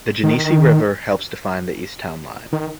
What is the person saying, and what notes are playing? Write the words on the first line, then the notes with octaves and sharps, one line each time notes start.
The Genesee River helps define the east town line.
D#3
D#3